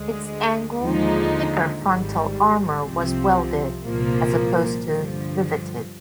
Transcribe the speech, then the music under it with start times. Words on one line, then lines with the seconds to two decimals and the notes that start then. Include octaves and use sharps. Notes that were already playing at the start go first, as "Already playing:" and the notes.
Its angled, thicker frontal armor was welded, as opposed to riveted.
Already playing: D2 D3 G#3
0.81 D#2 D3 F3 G#3 D#4
1.82 G#1 G#2 G3
2.83 C2 C3 F3 C4
3.85 C2 A#2 F3 A#3
4.86 G2 D3 F3